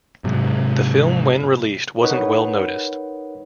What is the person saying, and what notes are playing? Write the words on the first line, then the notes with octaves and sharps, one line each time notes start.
The film when released wasn't well noticed.
G#2 C3 F#3
D#4 A#4 B4 C#5 F#5